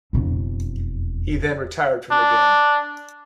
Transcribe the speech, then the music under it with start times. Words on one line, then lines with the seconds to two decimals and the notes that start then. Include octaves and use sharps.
He then retired from the game.
0.13 E1 F2
2.11 D4